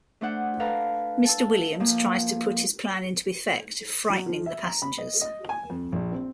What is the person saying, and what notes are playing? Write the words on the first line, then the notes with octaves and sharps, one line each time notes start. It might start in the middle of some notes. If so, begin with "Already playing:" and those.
Mr. Williams tries to put his plan into effect, frightening the passengers.
A3 D4 C5 F#5
A4 B4 F5 A#5
A5 E6
F3 A#3
F#3
F3
E5
A#5
B5
D#5
D#5
G#5
F2
A#1
C4